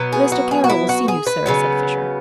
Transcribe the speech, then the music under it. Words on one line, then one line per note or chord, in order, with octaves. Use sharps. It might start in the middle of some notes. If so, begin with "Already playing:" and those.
"Mr. Kara will see you, sir," said Fisher.
Already playing: B2 F#3 B3
G#4
F#4
G#4
F#4
E4
F#4
G#4
B4
C#3 F#3 B3